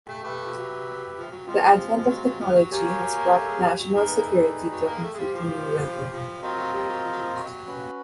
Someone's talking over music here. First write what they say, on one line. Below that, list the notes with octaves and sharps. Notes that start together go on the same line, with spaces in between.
The advent of technology has brought national security to a completely new level.
A3
A3 G4 B4 E5
F3
F#3
F3
F#3
F3 G#3 C4 F4
F3
F#3
F#3
F3
F#3
G3 G4 A#4 C#5 F5 G#5
F#3
F3
F#3
A#3
A3
G#3
G3
F#3
A#3 D#4 G#4 B4 D5
B3
A#3
A3
F#3
A#3
G#3
A3
G#3
G3 G4 C5 F5
F3
F3
F#3 C4 F4 A#4 D#5 G5
F#3
G3
F#3
F3
F#3
F3
F#3
C#4 F#4 B4